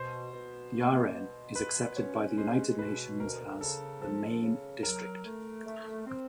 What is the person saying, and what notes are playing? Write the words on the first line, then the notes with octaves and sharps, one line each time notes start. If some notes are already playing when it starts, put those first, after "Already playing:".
Yaren is accepted by the United Nations as the "main district".
Already playing: B2 C5
B2
A#3
B2
B2 B4
C#4 C#5
G#3 C5
B2 B4
D2 A#4
C#3 A4
F3 A4
C#3
F#3 A#4
A3
A3
C4